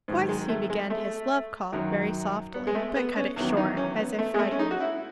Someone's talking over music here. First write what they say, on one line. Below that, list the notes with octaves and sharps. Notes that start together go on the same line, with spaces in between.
Twice he began his love call very softly, but cut it short, as if frightened.
G#2 D#3 F#3
G#3
A3
G#3
A3
F#2 D#3 F#3
B3
G#3
A3
B3
C#4
E2 D#3 F#3
D#4
C#4
B3
A3
G#3
A3
C#4
D#4
F#4
E4